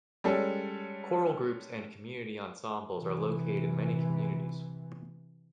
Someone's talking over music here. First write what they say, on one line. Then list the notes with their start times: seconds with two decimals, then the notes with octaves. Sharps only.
Choral groups and community ensembles are located in many communities.
0.24 G3 G#3 C#4 A4
2.97 C3 E3